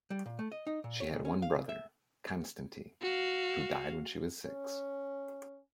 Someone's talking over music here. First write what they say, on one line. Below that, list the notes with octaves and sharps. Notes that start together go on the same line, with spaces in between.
She had one brother, Konstanty, who died when she was six.
G3
A#2
A3
D#5
D#4
A#2
C#5
B1
C#4
F5
C#3
E5
F#4 F5
C#4